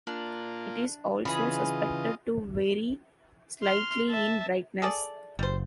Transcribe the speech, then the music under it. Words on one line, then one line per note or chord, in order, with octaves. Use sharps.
It is also suspected to vary slightly in brightness.
A#3 D4 F4
C#3 E3 F4 G#4 D#5 B5
C6 F6
E5 A5
G#4 A4 D5
F#1 G3 C5